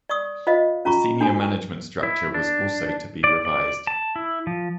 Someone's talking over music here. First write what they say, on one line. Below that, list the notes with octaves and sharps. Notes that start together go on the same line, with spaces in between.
The senior management structure was also to be revised.
D5 C#6 D#6
F4 C5 D#5 F5
C#4 F4 A#5 C#6
D4 F#4 A4 G#5
E4
D4
D5
D5
A5
E4
F3